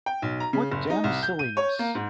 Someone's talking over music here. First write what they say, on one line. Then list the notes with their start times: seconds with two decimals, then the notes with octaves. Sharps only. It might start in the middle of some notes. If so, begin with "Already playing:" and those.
What damn silliness!
0.06 G5
0.22 B1
0.40 A#5
0.53 C#3
0.71 F#1
0.90 D#4
1.04 C2
1.23 G6
1.39 D#7
1.57 C#5
1.79 A#3
1.95 G#2